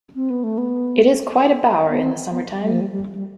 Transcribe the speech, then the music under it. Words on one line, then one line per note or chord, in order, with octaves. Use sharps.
It is quite a bower in the summer-time.
C4
B3
A3
B3
B3
C4
B3
G3
F3
G3
G3
G3